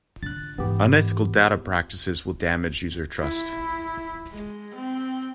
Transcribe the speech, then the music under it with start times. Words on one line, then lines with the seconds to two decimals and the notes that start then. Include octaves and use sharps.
Unethical data practices will damage user trust.
0.23 D3 F#6 A6
0.58 G#2 E3 B3 G4
3.20 E4
4.32 G#3
4.75 C4